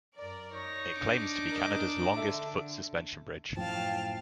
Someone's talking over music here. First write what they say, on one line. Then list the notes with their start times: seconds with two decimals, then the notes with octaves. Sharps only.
It claims to be Canada's longest foot suspension bridge.
0.16 F#2 A#4 D5
0.54 D#4 C#5 A#6
0.97 D4 D6
1.47 A#4 D#5
2.17 D3 A4 E5
3.57 F#2 A2 F3 F5 G5 A5